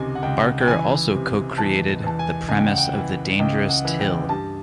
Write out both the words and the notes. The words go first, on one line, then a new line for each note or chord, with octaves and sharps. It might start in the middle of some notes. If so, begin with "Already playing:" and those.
Barker also co-created the premise of the dangerous till.
Already playing: C#2 C3 D#3 G#5
F#5
C#2 G5
G5
E3 G#5
C3
E2 A5
E2 A5
G#5
C#2 G#5
G5
F#5
G5
E3
C#2 G5
F#5
E3
G5
G2 A5